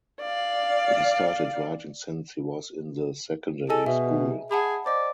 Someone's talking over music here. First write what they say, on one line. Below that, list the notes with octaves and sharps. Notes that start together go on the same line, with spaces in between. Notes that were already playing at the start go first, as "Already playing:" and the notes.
He started writing since he was in the secondary school.
D5 F5
G#4 A4 D#5 G#5
B2 E5
G#4 F#5 A5 B5
C5 D5 D#5